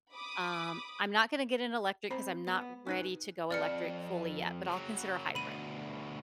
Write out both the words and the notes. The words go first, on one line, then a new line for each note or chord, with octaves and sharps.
Um, I'm not gonna get an electric 'cause I'm not ready to go electric fully yet, but I'll consider a hybrid.
B5 D6 D#6
C4 C5 A#5 B5
B3
C#4 D#4 B4
F2 D5 F6 C#7
C#3 F#3
D2 B2 B5 D#7